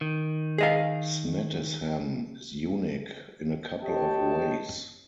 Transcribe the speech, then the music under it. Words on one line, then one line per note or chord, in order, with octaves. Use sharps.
Snettisham is unique in a couple of ways.
D#3
G#4 D#5 F5
G4 C#5 D#5 G5 A5